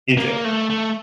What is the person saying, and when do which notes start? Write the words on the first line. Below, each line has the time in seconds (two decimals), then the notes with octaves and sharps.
You too.
0.17 A#3
0.44 A3
0.70 A3